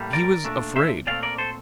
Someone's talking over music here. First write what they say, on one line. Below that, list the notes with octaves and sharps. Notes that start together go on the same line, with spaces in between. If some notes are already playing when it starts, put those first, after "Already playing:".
He was afraid.
Already playing: A2 G3 A#3
A#4 D5
A#2 A3 D4
C5 E5
A#2 A3 C4 D5 F5
A#4 D5
A4 C5